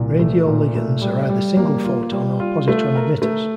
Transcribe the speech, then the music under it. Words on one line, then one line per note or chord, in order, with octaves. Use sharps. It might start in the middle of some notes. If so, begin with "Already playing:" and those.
Radioligands are either single photon or positron emitters.
Already playing: C2 A#2
A3
A#2
A3
G3
G3
A#3
F4
G3
F4
A3
A#4
A3